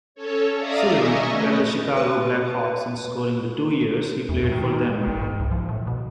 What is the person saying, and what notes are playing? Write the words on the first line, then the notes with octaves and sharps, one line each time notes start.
Sullivan led the Chicago Blackhawks in scoring the two years he played for them.
C#4 A4 C#5
D5 E5 F5 A#5 D#6
D#5 E5 G#5 C#6
A3 C#4 B4 D#5
B4
E2
A2
D#4
G#3
A#1
G#2
C2
F3
A2
B2